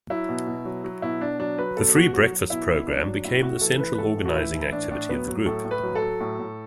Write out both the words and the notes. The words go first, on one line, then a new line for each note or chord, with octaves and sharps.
The Free Breakfast Program became the central organizing activity of the group.
F#3 E4
B2
B2
F#3
F#3
B2 E4
B2 D4
F#3 D4
F#3 B4
B2 A4
B2 F#4
F#3 F#4
F#3
B2 E4
B2
F#3 D4
F#3
A2 E4
A2 F#4
E3 A4
E3 B4
B4
A2 A4
A2
F#4
E3 E4
E3
A2 D4
A2 D4
F#3 B3
F#3
A2 A4
A2
B4
F#3
A4
F#3
A2
A2